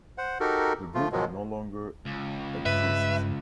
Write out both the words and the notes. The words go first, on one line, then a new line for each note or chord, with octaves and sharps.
The group no longer exists.
C5 F#5
D#4 F#4 G4 A4 A#4
F3 A3 F4
G#2 B2 D#3 F3 F#3 G#3
C#2
G2 B4 E5